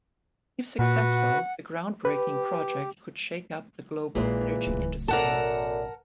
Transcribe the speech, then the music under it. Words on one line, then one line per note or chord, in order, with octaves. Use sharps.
If successful, the groundbreaking project could shake up the global energy industry.
A#2 F#4 B4 F#5
G4 B4
A#1 A#2 D#3 E3 G#3
D1 C#2
A1 F#2 B2 A4 A#4 D5 F#5 A5